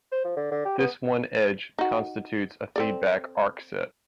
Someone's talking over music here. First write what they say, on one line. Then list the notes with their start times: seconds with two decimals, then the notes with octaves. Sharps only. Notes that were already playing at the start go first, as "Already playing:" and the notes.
This one edge constitutes a feedback arc set.
0.12 C5
0.24 F3
0.36 D3
0.51 D3
0.65 G4
0.79 B3
1.78 D#4 F#4
2.76 C4 A4 D5